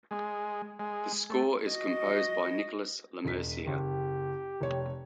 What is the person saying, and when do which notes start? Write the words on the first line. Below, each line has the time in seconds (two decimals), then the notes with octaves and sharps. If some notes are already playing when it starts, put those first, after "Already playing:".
The score is composed by Nicolas Lemercier.
0.11 G#3
0.79 G#3
1.30 A3
1.65 F#4 D#5
3.25 E1 B6
3.67 F#1 G4
4.61 F1 C#5